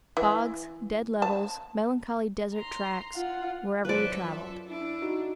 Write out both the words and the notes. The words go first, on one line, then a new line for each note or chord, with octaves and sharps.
Bogs, dead levels, melancholy desert tracks, wherever we travelled.
E3
A5
A#5 C6
F4 F#5
F#2 A4 B4 C5 D5 E5
F4
D4 E4
D#4 F#4